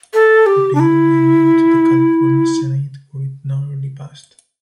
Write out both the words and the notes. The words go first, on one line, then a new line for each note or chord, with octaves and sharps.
The bill then went to the California Senate where it narrowly passed.
A4
G4
D4
E4